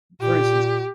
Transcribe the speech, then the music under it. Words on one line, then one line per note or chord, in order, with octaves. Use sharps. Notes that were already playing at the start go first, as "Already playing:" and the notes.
for instance,
A#2 G4